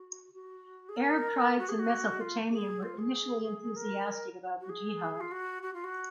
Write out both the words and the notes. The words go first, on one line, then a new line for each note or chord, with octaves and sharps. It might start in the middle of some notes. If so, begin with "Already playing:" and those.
Arab tribes in Mesopotamia were initially enthusiastic about the Jihad.
Already playing: F#4
F#4
G#4
A#4
F#4
G#4
F#4
F4
G#4
F4
G#4
A#4
F#4
G#4
F4
F#4
F#4
F4
F#4